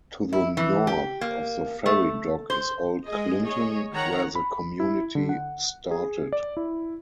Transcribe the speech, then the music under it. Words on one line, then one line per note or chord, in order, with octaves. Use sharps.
To the north of the ferry dock is old Clinton, where the community started.
E4
E3
G4
A#3
A3
C5
G#3 G#4 D#5
G#4 C#5 D#5
D#3 C#5 F#5 A#5
B5
E4
D3
F#5
G#4
D5
E4